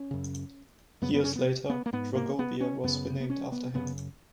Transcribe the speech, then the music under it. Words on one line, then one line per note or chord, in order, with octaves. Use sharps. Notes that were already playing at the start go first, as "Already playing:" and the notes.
Years later Dragobia was renamed after him.
Already playing: C#4
F#2 C#3
F#2 C#3 B3
B3
C#4
B3
B3
A#3
G#2 B3
A#3
B3
C#4
F#2 C#3 B3
B3
C#4
B3
F#2 C#3 B3